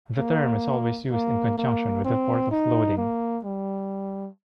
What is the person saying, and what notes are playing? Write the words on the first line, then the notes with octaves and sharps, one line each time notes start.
The term is always used in conjunction with a port of loading.
A#3
A#3
A#3
C4
D#4
A#3
G3